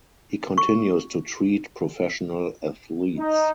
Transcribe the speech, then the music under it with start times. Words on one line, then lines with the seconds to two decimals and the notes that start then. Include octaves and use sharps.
He continues to treat professional athletes.
0.58 C#6
3.18 D#4